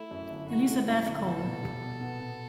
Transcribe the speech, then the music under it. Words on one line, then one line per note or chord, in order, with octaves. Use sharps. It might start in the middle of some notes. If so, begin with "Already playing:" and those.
Elizabeth Cole.
Already playing: A3 E4
F#2
G1
E3 F#4
A3
F#2 E4
G1
B3 A4
B2
G3
B2
B3
B2